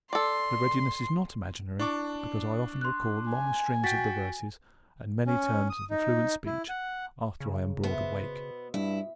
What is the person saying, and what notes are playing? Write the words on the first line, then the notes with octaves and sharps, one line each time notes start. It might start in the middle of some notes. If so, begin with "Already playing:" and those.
The readiness is not imaginary, because I often recall long strings of the verses, and many turns of the fluent speech, after I am broad awake.
A4 D5 C6
D4 E4 C#6 D6
C6 F#6
G#5
F#4 G5 A6 B6
C#4
D#6
D#4
E4
F#5
C#3
B2 B3 C5 E5
G2 E4